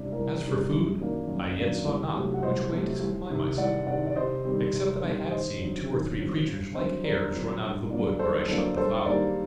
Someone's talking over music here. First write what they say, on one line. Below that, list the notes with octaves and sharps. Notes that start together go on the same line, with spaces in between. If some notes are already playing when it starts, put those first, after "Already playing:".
As for food, I yet saw not which way to supply myself, except that I had seen two or three creatures like hares run out of the wood where I shot the fowl.
Already playing: C2 C3 G3 D4
C2 A#4
C3 G3 D4
F#2
D#3 F#3 A#3 D4
F#2
D#3 F#3 A#3 D4
C2
C3 F#3 A3
F#5
C2 C5 D#5
C3 F#3 A3
C2
C3 D#3
C2 D5 F#5
C3 D#3 D5 F#5
D5
C3 C5 D#5
D#3 G3 C4
C3
D#3 G3 C4
D#2 C5 D#5
D3 F#3 C4
D#2
D3 F#3 C4
G2
D3 F#3 C4 C5 D#5
G2 A#4 D5
D3 F#3 C4
G2
D3 F#3 A#3 D4
G2 A4 C5
D3 F#3 A#3 D4 A4
G2 A4 C5
D#3 G3 A#3 D4 A#4 D5